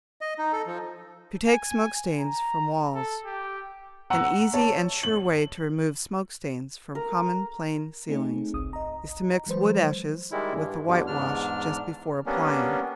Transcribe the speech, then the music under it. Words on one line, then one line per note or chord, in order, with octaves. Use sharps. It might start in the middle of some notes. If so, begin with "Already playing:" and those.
To Take Smoke Stains from Walls.--An easy and sure way to remove smoke stains from common plain ceilings is to mix wood ashes with the whitewash just before applying.
D#5
D#4
A4
F3
G#5
A#5
A4
G4
F#5 A#5 E6
C#5 A5
F#7
A#4
A3 C4 D#4 G#4
G1 C2 D#6
D#5 A#5
E3 F#3 G#3 B4 C5
D#3 G3 G#3 E4
G2
G2 B2 D3
E2 G#2 D4 F6
G3 A#3 B3 C#4 D4